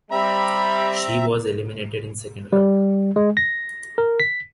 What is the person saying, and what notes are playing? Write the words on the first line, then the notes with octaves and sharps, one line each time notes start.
She was eliminated in second round.
G3 C4 E5 A#5 B5
G3
G#3
A#6
A#4
B6